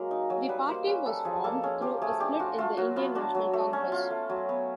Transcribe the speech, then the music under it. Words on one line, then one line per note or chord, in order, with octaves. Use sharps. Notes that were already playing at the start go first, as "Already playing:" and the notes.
The party was formed through a split in the Indian National Congress.
Already playing: F#3 G#3 A#3 A#4
D#4
F#3
G3 B4
A#3 C5
C#4 B4
G3 A4
F3 G#4
A#3 A4
C#4 G#4
F3 G4
A3 G#4
D4 G4
F4 F#4
A3 F4
F#3 F#4
B3 F4
D4 F#4
F#3
A3
C#4
F4
A3
F#3
B3